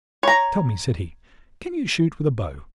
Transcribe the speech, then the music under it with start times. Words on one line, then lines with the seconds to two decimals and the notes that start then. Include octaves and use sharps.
"Tell me," said he, "can you shoot with a bow?"
0.23 C#5 A#5